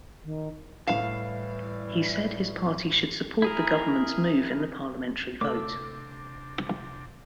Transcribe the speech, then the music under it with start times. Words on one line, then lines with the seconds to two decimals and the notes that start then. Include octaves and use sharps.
He said his party should support the government's move in the parliamentary vote.
0.24 D#3
0.87 A2 E3 G3 F5 E7
3.42 E4 G#4 A#4
5.41 C3 A3 D4 D6 E6